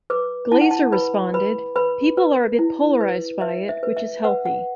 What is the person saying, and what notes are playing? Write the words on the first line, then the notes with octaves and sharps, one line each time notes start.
Glazer responded, "People are a bit polarised by it, which is healthy".
B4 D6
E4 A5
F#5
A5
B4 B5
B4 B5
B4 B5
B4
E4
B4
B4 E5
E5
B4
E5
B4 F#5
F#5